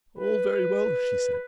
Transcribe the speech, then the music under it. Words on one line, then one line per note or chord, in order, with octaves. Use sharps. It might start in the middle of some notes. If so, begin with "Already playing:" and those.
"All very well," she said.
B4